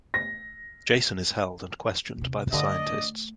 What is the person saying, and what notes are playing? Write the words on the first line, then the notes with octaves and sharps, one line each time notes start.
Jason is held and questioned by the scientists.
A#6
D#2 C3
G2 D3 A3 D4 D5 D#5